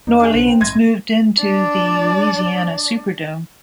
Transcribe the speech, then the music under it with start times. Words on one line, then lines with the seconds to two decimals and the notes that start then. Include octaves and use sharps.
New Orleans moved into the Louisiana Superdome.
0.07 E2 A#3 D#4
0.20 D4 G#4
0.33 B1 C#3 C5
0.48 G5
0.61 A#1 E2 G#2 C4 D#5 C6 G#6 A#6
1.40 D4 D5